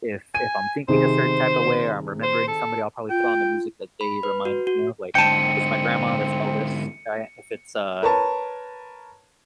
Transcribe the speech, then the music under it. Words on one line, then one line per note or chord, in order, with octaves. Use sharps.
if if I'm thinking a certain type of way or I'm remembering somebody, I'll probably throw on the music that they reminded me of, like, it's my grandma, that's Elvis, right? If it's, uh,
G#5 D#7
C3 D#3 G#4 C5
C5
A4
F4 G5
B5
B4
F#4
F#4
G#2 D3 C4 G5 A5 C#7 D#7
A#4 B4 C#5 A5